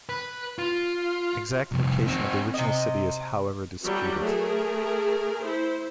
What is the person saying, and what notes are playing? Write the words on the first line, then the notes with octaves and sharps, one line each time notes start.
Exact location of the original city is however disputed.
B4
F4
C2 F2
C4 D#4
C3 D#5
E3 F#3 G3 F#4 A4
A3 G#4 A#4
E4 C5